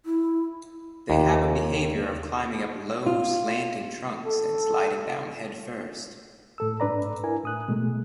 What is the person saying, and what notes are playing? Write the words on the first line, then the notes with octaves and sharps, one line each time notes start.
They have a behaviour of climbing up low, slanting trunks and sliding down headfirst.
E4
D#2
F4
A4
A2 A4 E6
G#2 D4 B4 D5 A#5
E4 A#4 G#5
A2 D#6 F#6
B2 G#3 A3